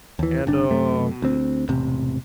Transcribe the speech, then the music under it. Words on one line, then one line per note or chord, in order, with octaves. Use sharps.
and, um,
D#2 E3
G1 D4
F#2 C3 A3
D2 C4
E1 A1 C3